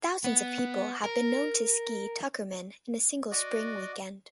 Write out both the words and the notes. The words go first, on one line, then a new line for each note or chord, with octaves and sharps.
Thousands of people have been known to ski Tuckerman in a single spring weekend.
B3
A#4
F#4 D5 D#5